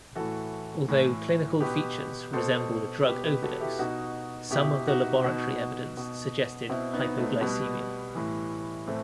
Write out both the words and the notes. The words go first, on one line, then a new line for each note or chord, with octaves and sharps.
Although clinical features resembled a drug overdose, some of the laboratory evidence suggested hypoglycemia.
A2 E3 F#4 A4
A2 E3
B2 G4 B4
B2 A4 C5
B2 G4 B4
G4 B4
F#4 A4
E4 G4
B2 D#4 F#4
B2 E4 G4
D#4 F#4
B2 D#4 F#4
B2
B2 C4 E4
B3 D#4
A3 C4
B2 G3 B3
A2 E3
A2 E3 A3 C4